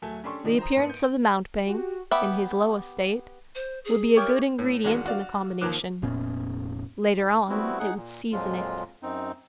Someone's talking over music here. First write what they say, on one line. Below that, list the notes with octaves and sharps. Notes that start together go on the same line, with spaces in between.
The appearance of the mountebank, in his low estate, would be a good ingredient in the combination; later on it would season it.
D1 F#3 A3 G#5 A5
C#4 D4 G4 A4 C6 C#6
D#3 F3 D4 D#4
C5 A#5 D#6
G#2 A#3 B3 C#7 D#7
G6 D7
F#4 G4
B3 G4 E5 B5
C5
G#4
G4 A#4 C#5 E5
A2
A1 E2 D#3 G#3 F#4 F#5
F#4 D5 F5
D#2 D#3 F3 D6 F#6
F1 A#2 B3 C#4
G#2
G3 A3 B3 C4 E4 F#4
D#4 G#4 F#5
A#2
F2 A#2 F3 F#3 G#3 F4
F#2 C4 D#4